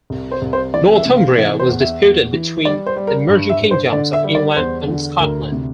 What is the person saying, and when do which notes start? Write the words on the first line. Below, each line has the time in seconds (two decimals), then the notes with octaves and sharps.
Northumbria was disputed between the emerging kingdoms of England and Scotland.
0.10 C2
0.32 C5
0.42 C2
0.53 C5
0.74 E3 D5
0.96 E5
1.05 C3
1.16 F5
1.37 E3 E5
1.60 C5
1.69 E2
1.80 E5
2.01 E2
2.33 E3
2.65 G3 D5
2.86 C5
2.96 G3
3.07 A#4
3.28 G2
3.49 E5
3.61 G2
3.71 C5
3.92 D3 D5
4.13 E5
4.24 G3
4.35 D5
4.56 E2 C5
4.88 D3
5.20 D2 A#4
5.52 C3